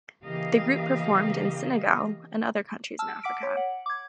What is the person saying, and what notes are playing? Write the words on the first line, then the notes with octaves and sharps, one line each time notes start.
The group performed in Senegal and other countries in Africa.
C#3 E3 A#3 G4 D#5 F5
A5 E6 F6
F#5 D6 B6 D7
C#5
F#5
D6 G#6